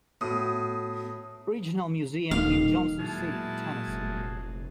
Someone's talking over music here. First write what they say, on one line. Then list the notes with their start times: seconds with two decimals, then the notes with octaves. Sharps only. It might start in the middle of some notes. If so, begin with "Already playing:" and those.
Regional Museum in Johnson City, Tennessee.
0.21 A2 B3 F#4 D#6
2.31 D#1 D#3 F5
2.99 A#2 F#3 G#3 E4 A5
3.88 F1